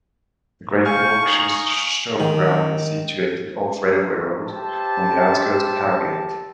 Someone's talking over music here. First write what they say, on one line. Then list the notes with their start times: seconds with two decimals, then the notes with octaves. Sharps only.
The Great Yorkshire Showground is situated off Railway Road, on the outskirts of Harrogate.
0.85 F5 G5 G#5 C#6 F6
1.25 D#4
2.20 D#3
4.46 G4 B4 C5 E5 A5